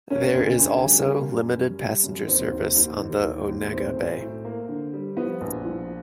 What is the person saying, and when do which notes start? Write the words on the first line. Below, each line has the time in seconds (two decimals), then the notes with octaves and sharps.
There is also limited passenger service on the Onega Bay.
0.10 A#3 C#4
0.34 D2
0.59 D2
0.83 G3
1.07 A#3
1.31 F#2
1.55 G3
1.79 G3
2.03 F#2
2.27 D#2 C4
2.52 D#2
2.76 D#2
3.00 D#2
3.24 D#3
3.48 D#2
3.72 A2 C4
3.96 B1
4.20 A2
4.45 A#3
4.68 D3
4.93 G3
5.17 F3 B3
5.41 A#1
5.65 F3